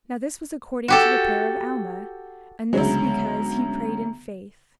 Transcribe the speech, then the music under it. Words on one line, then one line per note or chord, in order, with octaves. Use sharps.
Now this was according to the prayer of Alma; and this because he prayed in faith.
F#4 G4 A4
D2 C#3 F#3 G#3 B3 A#5